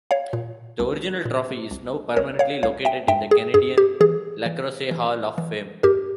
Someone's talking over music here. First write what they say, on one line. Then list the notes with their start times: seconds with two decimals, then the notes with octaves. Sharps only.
The original trophy is now permanently located in the Canadian Lacrosse Hall of Fame.
0.11 C#5 F5
0.33 A#2
0.80 C2
1.25 A#2
1.71 C2
2.16 C2 A#4 C#5
2.39 C#5 F5
2.63 C2 C#5 F5
2.85 E5 G5
3.08 G2 E5 G5
3.31 G#4
3.54 G2 G#4
3.78 G4
4.01 E3 G#4
4.46 E3
4.91 E3
5.38 E3
5.83 G2 G4 A#4